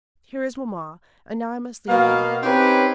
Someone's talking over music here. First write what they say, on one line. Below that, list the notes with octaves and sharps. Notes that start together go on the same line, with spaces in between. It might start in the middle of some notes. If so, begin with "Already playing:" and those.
Here is mamma, and now I must leave you.
B2 A#3 F5
C4 C#4 D#4 G4 B4 C#5